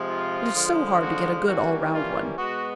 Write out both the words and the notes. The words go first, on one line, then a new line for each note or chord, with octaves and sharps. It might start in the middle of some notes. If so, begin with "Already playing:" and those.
It is so hard to get a good all-round one.
Already playing: C3 F3 G#3
F4
D3 F3 G#3
F#4
E3 G3 A#3 C#4 F#4
F4
B2 G#3 B3 F#4